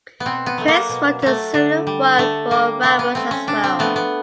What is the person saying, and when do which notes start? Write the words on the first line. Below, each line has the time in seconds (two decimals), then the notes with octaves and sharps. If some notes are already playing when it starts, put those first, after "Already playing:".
Pace wrote a similar work for Ramus as well.
0.20 B3
0.26 B2 C4
0.46 B3
0.58 F#3 A3
0.68 A#3
0.89 B2
1.22 F#3 A3
1.54 D3
1.87 G3
2.18 D3 A3
2.51 G3 A#3
2.83 C3 A#3
2.99 B3
3.15 F3 A3 C4
3.31 C#4
3.47 C3 D4
3.64 C4
3.79 F3 A3 B3
3.96 B3